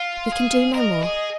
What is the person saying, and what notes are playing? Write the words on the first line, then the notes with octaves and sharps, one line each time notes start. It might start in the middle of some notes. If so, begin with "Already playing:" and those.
"We can do no more."
Already playing: F4 F5
G#4
A#4 D#5
G#4